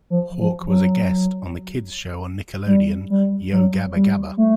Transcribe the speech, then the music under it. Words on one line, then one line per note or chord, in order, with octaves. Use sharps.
Hawk was a guest on the kid's show on Nickelodeon, "Yo Gabba Gabba!".
F3
F3
F#3
G3
G3
F#3
G3
A3